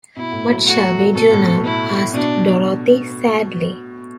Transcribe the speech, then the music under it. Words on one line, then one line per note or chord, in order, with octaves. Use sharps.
What shall we do now? asked Dorothy, sadly.
B2 E4
A2
F#3
A3 F#4
F#3
D3
B2 A4
A2
B2
E4
B2 D4